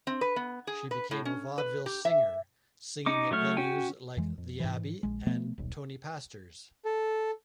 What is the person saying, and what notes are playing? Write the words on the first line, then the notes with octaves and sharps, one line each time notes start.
She became a vaudeville singer, singing at venues like The Abbey and Tony Pastor's.
C4
B4
B3
G#4
B4
A2
C#4
B4
G4
E5
C#4 D#4 D6
F#3 A3 C#5 F6
C#4 F#4 G5 G#5
F2 E3 G#3
F2
G#2 E3
A#1 G#3
B2 F3 A3 B3
D#1 B1
A4